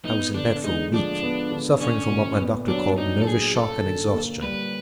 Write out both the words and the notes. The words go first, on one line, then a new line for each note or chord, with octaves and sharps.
I was in bed for a week, suffering from what my doctor called nervous shock and exhaustion.
B3 D#4
D3 D4
G#3 D#4
F3 D4
B3
D3
C#4 D4
A#2
B3
F#3 D4
D4 D#4
A4
A#2 G#4
C#4 A4
D3
A#3
G3 B4